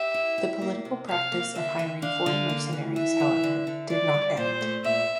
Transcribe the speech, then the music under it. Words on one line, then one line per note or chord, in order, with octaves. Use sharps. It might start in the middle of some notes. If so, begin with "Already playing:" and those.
The political practice of hiring foreign mercenaries, however, did not end.
Already playing: G4 E5
E4
G4
A#3
C3
C3 F5
A#3
D3 E5
D3
D4 F5
D3
A#3
E3
E3 E5
E3
D3
D3
D3 D5
G3
A#2 C5
A3
A#2 E5